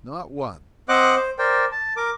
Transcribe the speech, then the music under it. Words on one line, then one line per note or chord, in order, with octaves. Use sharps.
Not one.
C4 C5 D#5 F#5 D6 F#6
C5
A#4 C5 D5 G5
A5
A#4 D6